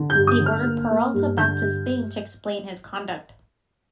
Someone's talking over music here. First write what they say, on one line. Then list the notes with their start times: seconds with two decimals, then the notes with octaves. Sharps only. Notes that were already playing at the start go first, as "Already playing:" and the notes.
They ordered Peralta back to Spain to explain his conduct.
Already playing: D3
0.10 G6
0.15 G2
0.27 D#6
0.40 D3
0.46 F6
0.64 A#3
0.89 A#3
1.14 G2
1.37 D3 G6
1.62 G2